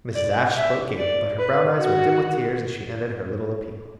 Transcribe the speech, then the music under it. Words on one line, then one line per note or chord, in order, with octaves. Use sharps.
Mrs. Ashe spoke gayly, but her brown eyes were dim with tears as she ended her little appeal.
D5
E5
D5
B4
F#4